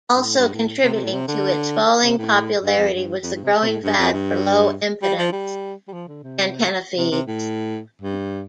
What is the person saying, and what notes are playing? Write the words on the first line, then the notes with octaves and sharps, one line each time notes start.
Also contributing to its falling popularity was the growing fad for low-impedance antenna feeds.
G2
A2
G2
A2
C3
C3
A2
C3
D3
C3
A2
G2
F2
G2
F2
G2
C3
C3
A2
G2
F2
G2
G3
F3
G3
G3
F3
D3
C3
C3
C3
A2
G2